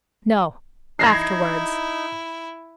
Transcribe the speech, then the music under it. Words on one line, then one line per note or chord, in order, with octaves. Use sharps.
"No, afterwards."
D#4 E4 G#6 A#6 C7